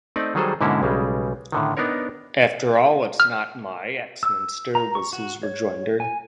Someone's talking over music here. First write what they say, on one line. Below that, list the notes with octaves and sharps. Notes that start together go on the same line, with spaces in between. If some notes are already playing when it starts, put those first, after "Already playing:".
"After all, it's not my Axminster," was his rejoinder.
A3 C4 D#4 D5
D#3 F#3 G3 G#4 A4 C5
G#2 B2 D3 A#3 C#4 E4
B1 C#3 G3 G#3
A2 D3 D#3
B3 D4 D#4 A#4 C#5
F6
E6
A#5
C#6
F#4
C#5
G#5